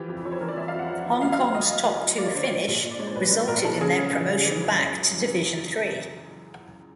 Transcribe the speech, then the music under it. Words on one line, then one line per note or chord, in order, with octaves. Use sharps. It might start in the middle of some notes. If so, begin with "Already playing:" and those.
Hong Kong's top two finish resulted in their promotion back to Division Three.
Already playing: E3 F3 G4
F2
F2 C#5
C5
E3 A#4
D5
E3 E5
F5
F2
F#5
F2
E3
D2 F5
F5
F#3
D2 D#5
F#3
D2
F#3
D2 D5
C#5
D3 C5
C#5
F3
A#1
A#1
D5
G#3 C#5
C5
A#1 B4
G#3
A#1 A#4
F3 A4
C#3 G#4
C#3
C#3
C#3
E3
F#2